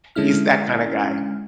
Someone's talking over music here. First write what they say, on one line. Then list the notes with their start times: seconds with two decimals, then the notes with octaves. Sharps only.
he's that kinda guy.
0.16 D3 G#3 C#4 E4 F6